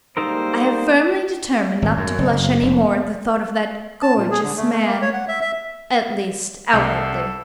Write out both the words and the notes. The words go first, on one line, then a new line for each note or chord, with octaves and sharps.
I have firmly determined not to blush any more at the thought of that gorgeous man--at least outwardly.
G3 G#3 A#3 D#4 A4 A#4 C5
G#1
F#2
F#1
F1
A5
A#2
G#4
D3
A3
A3
A#3
C#5
F#5
E5
E5
C2 D4
A4